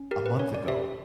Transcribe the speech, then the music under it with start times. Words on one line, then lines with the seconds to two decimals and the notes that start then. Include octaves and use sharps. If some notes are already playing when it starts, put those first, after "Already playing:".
a month ago,
Already playing: C#4
0.11 G4 A#4
0.26 B4
0.39 C#4 C#5
0.55 D5
0.68 G4 E5